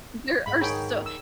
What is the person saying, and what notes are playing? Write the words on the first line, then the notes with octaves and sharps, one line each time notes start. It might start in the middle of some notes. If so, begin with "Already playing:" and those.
there are so
G#2 B5
D#3 G#4 C#5 G5 B5
E6